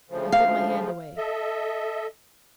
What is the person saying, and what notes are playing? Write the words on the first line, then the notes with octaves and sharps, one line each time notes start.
I pulled my hand away.
D2 C#3 F3
F5
A4 D#5 E5